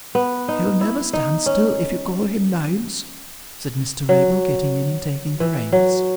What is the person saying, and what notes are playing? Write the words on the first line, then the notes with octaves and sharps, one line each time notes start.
'He'll never stand still, if you call him names,' said Mr Abel, getting in, and taking the reins.
B3
D#4
E4
D#4
C#4
F#3
E3
F#3